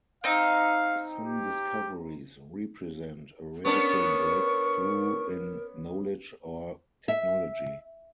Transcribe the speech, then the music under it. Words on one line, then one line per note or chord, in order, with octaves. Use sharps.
Some discoveries represent a radical breakthrough in knowledge or technology.
C4 D#4 F5
G4
B3 C#4 D4 A#4 C#6
E5